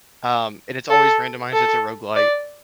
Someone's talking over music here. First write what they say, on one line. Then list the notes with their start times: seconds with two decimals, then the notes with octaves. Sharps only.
um, and it's always randomized, it's a roguelite,
0.90 A4
1.53 A4
2.16 D5